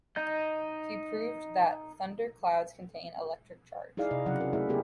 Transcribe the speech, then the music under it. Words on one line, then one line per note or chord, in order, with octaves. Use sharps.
He proved that thunder clouds contain electric charge.
D#4 D#5 G6
D#4 E4 G#4 D5 F5
C3 D#5
C#3 F#3 F#5
A#4
A3 E4 G#4 E5
A3 B3 G4 G#4 A#4